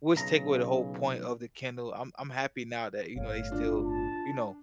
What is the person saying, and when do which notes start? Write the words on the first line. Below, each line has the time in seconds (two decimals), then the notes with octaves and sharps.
which take away the whole point of the Kindle; I'm I'm happy now that, you know, they still, you know,
0.16 B1 C#3 A#5
3.16 G1 A2 C#5 F5
3.52 D4 F4
3.84 A5